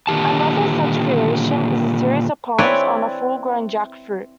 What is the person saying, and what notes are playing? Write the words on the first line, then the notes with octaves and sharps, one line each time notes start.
Another such creation is a series of poems on a full-grown jackfruit.
A#2 D3 D#3 G4 A5
C4 E4 B4 C#5 D5 G#5